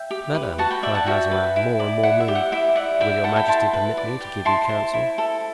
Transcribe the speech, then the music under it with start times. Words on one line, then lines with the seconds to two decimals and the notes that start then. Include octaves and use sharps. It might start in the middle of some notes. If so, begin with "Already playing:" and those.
"Madame," cried Mazarin, more and more moved, "will your majesty permit me to give you counsel?"
Already playing: E5 G5
0.11 G4
0.35 B4
0.58 F#4 F#5 A5
0.71 G5 B5
0.83 D5 E5 G5
0.95 F#5 A5
1.06 F#4 E5 G5
1.31 B4
1.56 E4
1.79 D5
2.03 E4 F#5
2.20 E5
2.28 G4
2.35 F#5
2.52 E4 E5
2.76 D5 F#5
3.00 E4 E5 G5
3.24 A4 F#5 A5
3.36 G5 B5
3.48 E4 A5 C6
3.73 B4
3.97 D5
4.21 G4
4.45 E4 A5 C6
4.69 C5
4.94 E4
5.18 A4